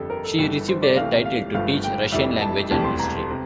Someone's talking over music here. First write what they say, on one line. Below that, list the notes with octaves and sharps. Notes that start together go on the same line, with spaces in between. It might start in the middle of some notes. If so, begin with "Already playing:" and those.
She received a title to teach Russian language and history.
Already playing: G1 F2 D3 G3 A4
A#4
A4
G1 G2 E3 G3 A4
C5
D5
C2 C3 E3 A3 F5
F5
G1 G2 F3 A3 F5
G5
F1 F2 E3 G3 E5
A5
E1 D2 C3 E3 G3 A5
C6
A#5
C3